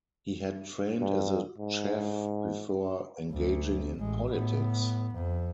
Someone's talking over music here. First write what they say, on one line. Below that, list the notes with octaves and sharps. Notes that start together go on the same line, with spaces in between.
He had trained as a chef before engaging in politics.
G2
G#2
D2
A1 G#3
A2 B3
F2